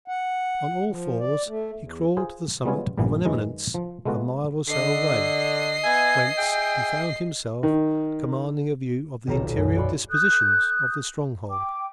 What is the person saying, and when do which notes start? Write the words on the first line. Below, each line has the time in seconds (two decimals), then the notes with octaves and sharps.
On all fours he crawled to the summit of an eminence a mile or so away, whence he found himself commanding a view of the interior dispositions of the stronghold.
0.08 F#5
0.88 F3
1.19 D5
1.47 A3
1.76 E2
2.17 F4 G#4 C5
2.65 G3 G#3 B3 C#4 F4 C#5
2.97 A#1 G2 A#2 E3 B3
3.25 F#2 D#3 E3 G#3
3.74 F3
4.05 G#3 A3 B3 F4 F#4
4.68 D3 D#5 C7
5.84 B3 E5 G#5
6.38 G#4 E5 G5
7.63 D#3
9.27 D#1 B1 F4 A#5 E7
9.56 F#2 A3
9.76 D#4 F#4 D5 F5 B5 C6
10.10 A4 D#6 F#6 G6
11.49 G5 D6